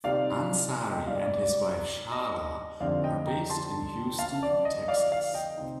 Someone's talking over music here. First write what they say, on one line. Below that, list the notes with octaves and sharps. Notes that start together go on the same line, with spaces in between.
Ansary and his wife Shahla are based in Houston, Texas.
C3 G3 C4 D#4 D5 F5
D#5 G5
D5 F5
D5
D5
D#5
F2 D3 G3 C4 D#4 D5 F5
D#5 G5
G5 A#5
A5 C6
F5 A5
D5
D#5
D5 F5
D5 F5
D#5 G5
C3 G3 C4 D#4